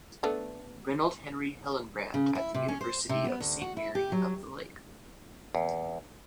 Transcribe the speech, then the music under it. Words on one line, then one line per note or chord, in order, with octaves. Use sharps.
Reynold Henry Hillenbrand at the University of Saint Mary of the Lake.
A3 B3 D4
C#3
E4
C3
C#4
C5
C3
B3
D2
F#4
E4
G4
F#3
E2